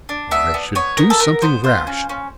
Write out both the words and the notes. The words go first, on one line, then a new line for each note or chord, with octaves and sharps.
"I should do something rash."
D4
B3 E5
B3
B3 C#5
B3 A#4
A4
B3 A#4
B3 C5
F4 C5
C#4
C#4